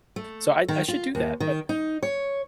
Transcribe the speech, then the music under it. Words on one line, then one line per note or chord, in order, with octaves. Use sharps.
So I I should do that, but
A3
D#3
F4
D#2
D#3
D#4
C#5